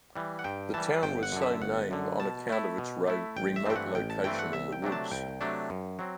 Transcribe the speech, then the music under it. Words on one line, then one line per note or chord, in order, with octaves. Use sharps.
The town was so named on account of its remote location in the woods.
E3 G3
F#5
G2 G5
E3 G3 A5
G1 G5
F#5
F#2 D3
E5
G1 F#5
F#2 D3
B2 A5
A3 E4
B2
A3 E4
A1 G5
E5
G2 E3 A3 C4 G5
F#5
A1 G5
A5
G2 E3 A3 C4 G5
F#5
C2 E5
G5
C3 F#3 A3 D4
A5
C2 G5
C3 F#3 A3 D4
F#2
F#3 C4